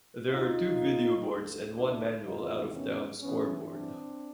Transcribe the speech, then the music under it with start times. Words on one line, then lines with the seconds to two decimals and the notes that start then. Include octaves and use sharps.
There are two videoboards and one manual out-of-town scoreboard.
0.31 D#2 D3 D#4 F4
1.28 D2 D3
1.77 D4 E4
2.25 E2 C3 D#3 D#4 F4
2.73 B3 C#4
3.21 G2 E3 B3 C#4
3.70 C4 D4